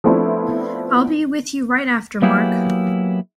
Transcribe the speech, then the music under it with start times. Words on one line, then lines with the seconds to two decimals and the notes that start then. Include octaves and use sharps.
I'll be with you right after Mark.
0.04 F3 A3 B3 C4 D4 E4
2.22 F#3 A#3 B3 E4 G4 G#4